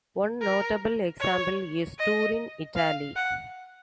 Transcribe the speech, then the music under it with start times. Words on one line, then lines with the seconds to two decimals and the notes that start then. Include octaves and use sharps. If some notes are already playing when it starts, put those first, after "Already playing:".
One notable example is Turin, Italy.
0.41 A#4
1.20 C#5
1.98 D#5
2.76 F5
3.16 F#5